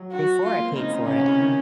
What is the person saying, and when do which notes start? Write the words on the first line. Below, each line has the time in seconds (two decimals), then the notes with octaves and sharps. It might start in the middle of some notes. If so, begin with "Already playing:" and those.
before I paid for it.
Already playing: F#3
0.12 F#4
0.44 G#3 F4
0.55 A#3
0.65 C4
0.75 C#3 D#4
0.91 C#3
1.07 C3 C#4
1.17 C3
1.28 C#3
1.38 D#3